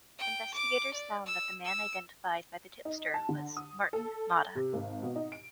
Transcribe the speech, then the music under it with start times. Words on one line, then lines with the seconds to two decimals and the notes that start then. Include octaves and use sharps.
Investigators found that the man identified by the tipster was Martin Motta.
0.18 G5
0.54 D6
0.93 D5
1.26 E6
1.65 E6
2.85 D#4
3.14 A5
3.29 D3
3.57 D#6
3.93 A4
4.55 C3
4.73 G#1
5.02 B2
5.16 D#4
5.32 D7